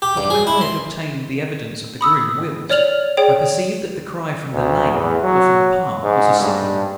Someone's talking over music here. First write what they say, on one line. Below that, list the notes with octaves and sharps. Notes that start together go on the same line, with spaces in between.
But when I had obtained the evidence of the groom, Wills, I perceived that the cry from the lane or from the park was a signal.
G4
G2
G#4
E4
C6
B5 D#6 E6
C#5 D5 F6 F7 F#7
G#4 C#5 D5 G5
D2
E2
F#3
G#2
G2